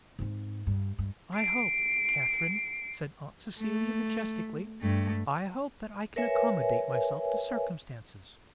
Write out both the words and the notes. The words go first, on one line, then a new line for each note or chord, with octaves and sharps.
'I hope, Katharine,' said Aunt Celia majestically--'I hope that I can accommodate myself to circumstances.
G#2 C4
G2
G2
C7 D7
A3
G2 A3
A#4 B4 C#5 E5 G#5